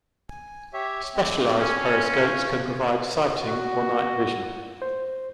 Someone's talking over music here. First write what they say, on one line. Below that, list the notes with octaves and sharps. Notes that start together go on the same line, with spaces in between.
Specialised periscopes can provide sighting or night vision.
G#5
G4 C#5 E5
A3 C4 G4
C#4
F4 G#5
F#4
C5